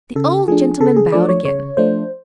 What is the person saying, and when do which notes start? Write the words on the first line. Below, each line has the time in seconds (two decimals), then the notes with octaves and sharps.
The old gentleman bowed again.
0.15 C#3 A4
0.48 F3 A3 D4 G#4
0.80 C#3 A4
0.96 G#4
1.12 F3 A3 D4 D5
1.29 C#5
1.45 C#3 C#5
1.77 F3 A3 D4 C5